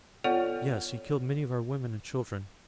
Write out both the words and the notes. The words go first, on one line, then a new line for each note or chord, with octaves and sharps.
Yes, he killed many of our women and children.
B3 F4 A4 C#5 D5 F#5